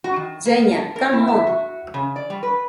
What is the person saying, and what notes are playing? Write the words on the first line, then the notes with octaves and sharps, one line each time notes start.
Zhenya, come on!
F#4
D#3
A#3
A5
A#4
E4
E5
F#4
C#3
D5
G3
B4